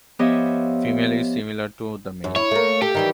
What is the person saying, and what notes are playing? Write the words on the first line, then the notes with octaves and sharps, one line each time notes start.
Female is similar to the male.
F3 B3 G4 C#5 D#5 E5
F#2
E4 C#5
A3 A#3
G4 A4
D#3 E3 G3